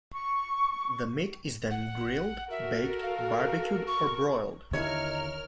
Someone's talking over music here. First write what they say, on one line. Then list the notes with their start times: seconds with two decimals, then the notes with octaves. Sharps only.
The meat is then grilled, baked, barbecued, or broiled.
0.14 C#6
1.71 F#5
2.51 F#4 A4 A#4 E5
3.03 F5
3.87 C#6
4.73 D#2 D3 E4 A#4 C#5 D#5 F6